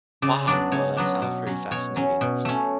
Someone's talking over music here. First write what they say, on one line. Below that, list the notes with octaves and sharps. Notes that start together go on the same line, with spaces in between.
Wow. No, that sounds pretty fascinating.
C#3 D5
F#3 B3 D4 D5
C#3 C#5
F#3 B3 D4
B2
F#3 C#4
B2 C#5
F#3 C#4
B2
A3 C#4